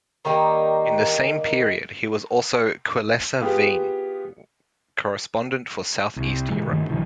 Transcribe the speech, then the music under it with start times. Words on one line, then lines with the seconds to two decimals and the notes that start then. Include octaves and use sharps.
In the same period he was also Querleser Wien Correspondent for South East Europe.
0.25 D#3 G3 A#3 D#4
3.41 B3 F4 G4 G#4 F5
6.16 C2
6.50 A#2 C#3 E3 G#3
6.70 G2 D#3 A3
6.89 B1 D3 E3 F#3